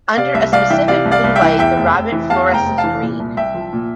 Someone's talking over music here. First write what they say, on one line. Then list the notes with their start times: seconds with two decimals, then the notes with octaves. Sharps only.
Under a specific blue light, the rabbit fluoresces green.
0.17 C3 D5 F5
0.34 C2 E5
0.52 C2 D5 F5
0.70 E3 E5 G5
0.88 C3 D5 F5
1.05 C2
1.11 D5 F5
1.24 C2
1.36 E5 G5
1.42 E3
1.59 E2 E5 G5
1.77 F1
1.95 F1
2.12 E3
2.30 E2 F5 A5
2.48 F1
2.54 G5 A#5
2.66 F1
2.78 F5 A5
2.84 E3
3.02 A#2
3.19 C2
3.37 C2 E5 G5
3.54 F3
3.73 A#2